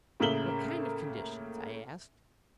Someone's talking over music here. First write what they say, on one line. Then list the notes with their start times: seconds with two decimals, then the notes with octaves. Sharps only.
"What kind of conditions?" I asked.
0.20 A2 C#3 A#3 E5 F#7 G7